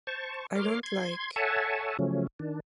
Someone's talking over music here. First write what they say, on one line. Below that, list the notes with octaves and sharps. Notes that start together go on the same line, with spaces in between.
I don't like...
C5 A5 C#6
A#4 C#5 C6 D6 F6
C6 G#6
A4 C#5 E5 F#5 G#5 A5
C#3 F3 F#3 A3 C#4
D#3 D4